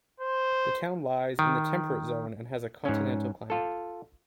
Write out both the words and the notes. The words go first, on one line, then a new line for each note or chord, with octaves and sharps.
The town lies in the temperate zone and has a continental climate.
C5
D#3
G#2 C#4
F4 A4